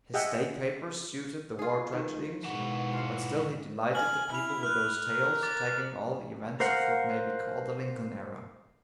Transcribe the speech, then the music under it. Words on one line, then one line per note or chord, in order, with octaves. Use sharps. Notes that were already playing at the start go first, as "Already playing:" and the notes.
His state papers suited the war tragedies, but still he delighted the people with those tales, tagging all the events of what may be called the Lincoln era.
G#4 D#5 E5 F#5 G5
F4 G#4
D#3
G#2 B2 E3 F#4
F4 F5
G#5 F6 F#7
E4 F6 F7
F6 F#6
A#4
D6 A6
A#4 C5 F5 F#5